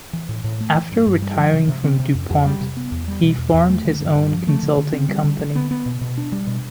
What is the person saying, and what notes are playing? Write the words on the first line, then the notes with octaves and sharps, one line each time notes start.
After retiring from DuPont, he formed his own consulting company.
E3
A2
A2
A3
E3
G2
G2
G3
F3
C3
C3
C4
C3
F2
F2
G3
C3
B3
E2
G3
B2
E2
E2
A3
D3
G2
G2
F3
A3
D3
D3
C4
G3
D3
D3
B3
B3
B2
B2
D4
G3
B2